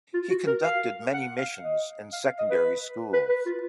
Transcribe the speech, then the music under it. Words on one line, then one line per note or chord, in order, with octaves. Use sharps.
He conducted many missions in secondary schools.
F4
F#4
A#4
F5
F#5
F5
D#5
F5
F5
D#5
B4
B4
B4
F4